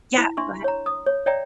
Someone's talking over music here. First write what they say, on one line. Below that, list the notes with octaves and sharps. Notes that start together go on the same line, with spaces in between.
yeah, go ahead.
E4
D4 E5 C6 C#6
C#5 A#5
D#6
C#5
C#5 D5 E5 G5 A#5